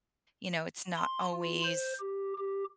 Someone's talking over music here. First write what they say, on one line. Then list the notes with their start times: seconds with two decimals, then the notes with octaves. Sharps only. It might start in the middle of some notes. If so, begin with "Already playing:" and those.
you know, it's not always
0.96 C6
1.33 F4
1.64 C5
2.00 G4
2.38 G4